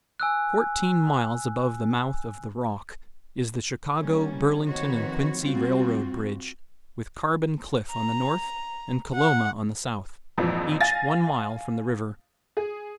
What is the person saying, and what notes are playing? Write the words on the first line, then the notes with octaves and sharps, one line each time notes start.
Fourteen miles above the mouth of the Rock, is the Chicago, Burlington and Quincy railroad bridge, with Carbon Cliff on the north and Coloma on the south, each one mile from the river.
G#5 E6 F#6
E3 G3 A#3 C#4
D#3 F3 C4 F#4 B4 C#5
G3 C4 F4 F#4
A#5
F#5
A#1 F2 G#2 E3 F3
F5 G#5 A6 A#6
G#4